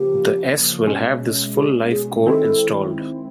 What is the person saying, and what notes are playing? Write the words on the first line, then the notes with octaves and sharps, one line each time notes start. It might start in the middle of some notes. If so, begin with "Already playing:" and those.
The s will have this full-life core installed.
Already playing: C#3 F3 A#3 G4
B2 G#3 C#4
G#4
G#4
D#3 G#3 C4 E4 A4